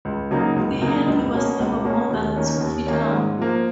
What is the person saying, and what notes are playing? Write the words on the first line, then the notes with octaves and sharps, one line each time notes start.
The handle was never more than two feet long.
C#2
C#3 F#3 A#3 D#4
C#2
C#3 F#3 A#3 D#4
C#2
B2 A#3 C#4
C#2
B2 A#3 C#4
D#2
D#3 A#3 C#4
D#2
D#3 A#3 C#4
G#2
F3 A#3